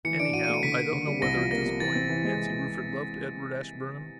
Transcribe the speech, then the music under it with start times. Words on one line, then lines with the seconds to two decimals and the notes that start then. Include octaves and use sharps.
Anyhow, I don't know whether, at this point, Nancy Rufford loved Edward Ashburnham.
0.05 E3 C#7
0.19 D4 D7
0.33 F#4 D#7
0.44 D#7
0.49 A3
0.54 C#7
0.63 D3 B6
0.78 A#3
0.93 D3
1.07 G3
1.22 C2 A#6
1.36 F3
1.51 A#3 A#6
1.66 C3
1.80 E3 A6
1.95 C4
2.09 E3
2.24 G#3